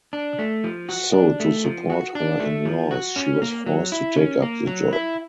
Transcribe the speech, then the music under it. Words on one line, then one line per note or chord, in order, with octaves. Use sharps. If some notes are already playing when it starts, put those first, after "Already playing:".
So to support her in laws she was forced to take up the job.
D4
A3
F3
F#4
D4
A3
F3
F#4
D4
A3
F3
F#4
C#4
A#3
F#3
E4
C#4
A#3
F#3
E4